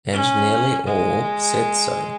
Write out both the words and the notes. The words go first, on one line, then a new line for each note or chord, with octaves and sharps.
And nearly all said so.
C#4
G#3